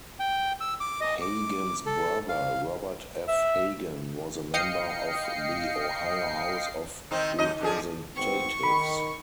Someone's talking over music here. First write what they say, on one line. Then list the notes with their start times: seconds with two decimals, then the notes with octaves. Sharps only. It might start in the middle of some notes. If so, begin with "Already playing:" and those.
Hagan's brother Robert F. Hagan was a member of the Ohio House of Representatives.
0.19 G5
0.61 E6
0.80 D6
1.01 D#5
1.22 D6
1.86 A4
2.29 F5
3.28 E5
4.54 D#5 F5 G5 D#6 C7 C#7
7.11 D#3 C4 D#4
7.39 D#2 D#4 D#5
7.61 D3 F3 G#4
8.15 G#1 B3 C4 C#6
8.63 D#3 B5